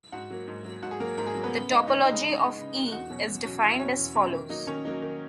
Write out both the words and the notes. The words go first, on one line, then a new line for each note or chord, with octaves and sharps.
The topology of "E" is defined as follows.
G#2 F#4 F#5
F#3 A#3
G#2
F#3 A#3
G#2 F#4 F#5
G#4
F#3 A#3 A#4
G#2 A#3 A#4
G#4
F#3 A#3
B3 B4
C#3
G#3 D#4
C#3 D#4 D#5
G#3 D#4 D#5
C#3
G#3 D#4
C#3
G#3 D#4
E2 F#4 F#5
B2 F#3 C#4
E2
B2 F#3 C#4
E2 E4 E5
B2 F#3 C#4 C#5
E2
B2 F#3 C#4
D#3
F#3 A#3 D#4
D#3 C#4 C#5
F#3 A#3 D#4
D#3